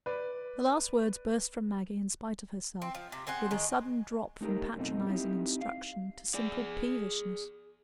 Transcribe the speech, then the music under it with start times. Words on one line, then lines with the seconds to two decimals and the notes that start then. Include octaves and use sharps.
The last words burst from Maggie, in spite of herself, with a sudden drop from patronizing instruction to simple peevishness.
0.06 B4 D5
2.82 C4
2.95 F3
3.12 C3
3.27 C4 G#4 C5 F#5
3.51 D#3 G#3
4.41 A3 D#4 G4 A4 A#4
4.76 F#2 B2 A3 C4 D#4 F#4
5.07 C4 D#4 E4 G4
5.61 F5
6.35 G#4 D5